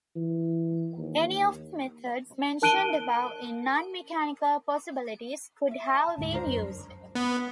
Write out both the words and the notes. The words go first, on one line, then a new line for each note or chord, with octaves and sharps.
Any of the methods mentioned above in "Non-mechanical possibilities" could have been used.
E3
D#2
A#4 A5 F#6 D7 D#7 G7
E5
A5
D2 G#2
D4 A#4 C5
F#2
B3